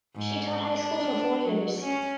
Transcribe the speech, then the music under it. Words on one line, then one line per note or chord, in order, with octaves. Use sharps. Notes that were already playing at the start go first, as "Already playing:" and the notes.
She taught high school for four years.
G#2
D4
F#3
C#4